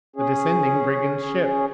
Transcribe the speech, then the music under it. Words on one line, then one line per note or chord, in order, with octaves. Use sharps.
The descending brigand ship!
C#4 G#4